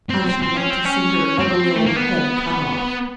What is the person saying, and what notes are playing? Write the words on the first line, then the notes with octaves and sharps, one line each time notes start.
I should like to see her ugly old head cut off.
C4
C4
C4
C#4
C4
C#4
C4
A3
A#3
B3